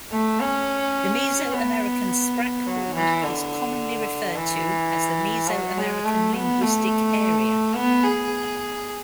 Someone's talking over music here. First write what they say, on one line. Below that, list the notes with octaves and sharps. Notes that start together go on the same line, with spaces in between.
The Mesoamerican sprachbund is commonly referred to as the Mesoamerican Linguistic Area.
A3
C#4
B3
F#3
E3
D3
E3
F#3
G#3
A3
B3
A3
B3
G#4